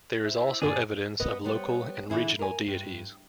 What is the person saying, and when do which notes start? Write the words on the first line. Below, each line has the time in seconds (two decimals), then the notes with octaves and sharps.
There is also evidence of local and regional deities.
0.23 E4 C5 E5
0.62 G2 A#2 D3 D4 G#4 D5
1.20 B3 B4 D#5
1.44 G3 B3 C5 C#5
2.10 D3 E3 E4 G#4
2.39 A#4 G#5
2.67 G2